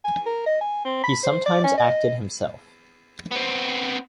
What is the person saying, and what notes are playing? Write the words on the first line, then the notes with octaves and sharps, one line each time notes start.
He sometimes acted himself.
G#5
A#4
D#5
G#5
C4
B5
C5
D5
C#4
D#5
B3 C4